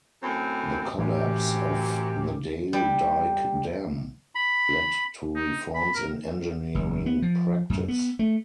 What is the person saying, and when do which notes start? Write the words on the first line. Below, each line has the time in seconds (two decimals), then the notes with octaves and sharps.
The collapse of the Dale Dyke Dam led to reforms in engineering practice.
0.22 F#2 A2 C4
0.99 F#2 A2 C3 E3 G4
2.73 G3
4.35 B5
5.36 D#4
5.75 B5
5.95 A#4
6.75 F#1
7.06 B3
7.22 F3
7.70 F#2
7.88 B3
8.19 A3